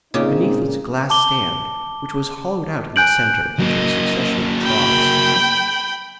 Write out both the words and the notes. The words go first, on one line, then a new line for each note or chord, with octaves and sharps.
Beneath was a glass stand, which was hollowed out in the centre into a succession of troughs.
A#2 C#3 C4 D#4 G4
A5 D6 G7
G#5 F#6 G6 D7 F#7
F#3 A#3 D#5
G5 B5